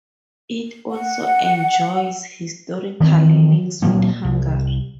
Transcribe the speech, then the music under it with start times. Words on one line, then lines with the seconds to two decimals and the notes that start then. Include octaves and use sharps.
It also enjoys historical links with Hungary.
0.90 F#5
3.00 D#3 E3 B3 C4
3.82 A#2 F#3 A#3 C4
4.24 C2